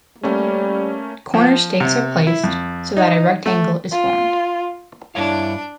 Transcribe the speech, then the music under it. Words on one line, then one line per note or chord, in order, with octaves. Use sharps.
Corner stakes are placed so that a rectangle is formed.
G3 A3 A#3 C#4
F3
C3
E4
F2
D#4
A3
F4
G2 D4 E4 C#5 F5